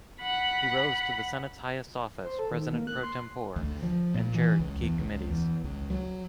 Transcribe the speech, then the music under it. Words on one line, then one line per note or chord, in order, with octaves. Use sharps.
He rose to the Senate's highest office, President Pro Tempore, and chaired key committees.
F#5 B5
C5
A4
D#3
A#3
F#6
C6
D2
F3
A#2
E3
C#2
E2
C#2
E2
C#2
F#3